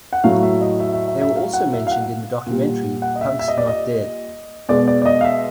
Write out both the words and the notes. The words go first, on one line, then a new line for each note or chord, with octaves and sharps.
They were also mentioned in the documentary "Punk's Not Dead".
F#5
A2 F#3 A3 F5
E5
D#5
E5
E5
E5
E5
F5
F#5
E5
F5
F#5
A#2 G3
F#5
D#5
E5
E5
D#5
D5
D#5
B2 G#3 D5
D5
D5
D#5
F5
E5